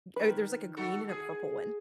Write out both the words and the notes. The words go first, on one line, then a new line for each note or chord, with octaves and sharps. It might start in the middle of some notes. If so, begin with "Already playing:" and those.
uh, there's like a green and a purple one.
D#3 B4
D#4 F#4 A4
G#4